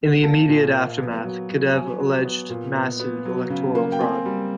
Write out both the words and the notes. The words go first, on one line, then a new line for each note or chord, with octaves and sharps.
In the immediate aftermath, Kedev alleged massive electoral fraud.
A#3 A5
A#2
A#3
B3
F#3
F#3
F#3 G#5
F#3
B3
A#2
B3
B3
F#3
C#3
A#3
G5
C4 G#5
G3